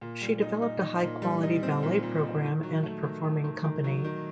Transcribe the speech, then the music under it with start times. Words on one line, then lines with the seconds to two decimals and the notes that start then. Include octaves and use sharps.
She developed a high quality ballet program and performing company.
0.01 A#2
0.21 G3
0.42 D#4
0.62 D#4
0.82 D#4
1.02 A#2
1.22 G3
1.43 D#4
1.63 C4
1.83 A#2
2.03 A#2
2.23 D#4
2.43 D#3
2.63 F#3
2.83 A3
3.03 D#3
3.24 A3
3.44 D#3
3.64 D#3
3.84 F#3
4.04 D#3